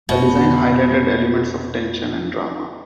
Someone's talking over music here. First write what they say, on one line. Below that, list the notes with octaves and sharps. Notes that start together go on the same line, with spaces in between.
The design highlighted elements of tension and drama.
F1 B2